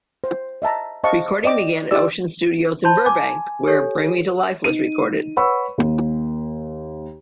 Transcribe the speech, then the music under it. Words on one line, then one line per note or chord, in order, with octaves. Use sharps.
Recording began at Ocean Studios in Burbank, where "Bring Me to Life" was recorded.
C5
D#5 E5 A5 A#5
C5 D#5 F5 A5 C#6
D5 D#5 G5 D6
E4 G4 D5 E6
C5 A5 B5 C6 G6
G#5 D6
G4 A4 C#5
D#4 D#7
B4 C#5 F#5 B5 C#6 E6
D#2